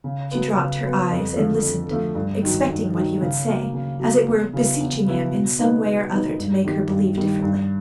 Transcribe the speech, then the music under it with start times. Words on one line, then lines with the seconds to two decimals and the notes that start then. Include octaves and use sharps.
She dropped her eyes and listened, expecting what he would say, as it were beseeching him in some way or other to make her believe differently.
0.04 C#3
0.31 F#3 B3
0.57 C#3
0.83 F#3 B3
1.11 F2
1.36 D3 F3 A3
1.62 F2
1.89 D3 F3 A3
2.15 G2
2.42 D#3 F#3
2.69 G2
2.95 D#3 F#3
3.21 C#3
3.47 F#3 A#3
3.74 C#3
4.00 F#3 A#3
4.26 E2
4.53 C#3 F#3 B3 E4
4.79 E2
5.06 C#3 F#3 B3 E4
5.31 B2
5.59 G#3 B3 D#4
5.84 B2
6.11 G#3 B3 D#4
6.38 G2
6.64 D#3 G3
6.90 G2
7.17 D#3 G3
7.42 G2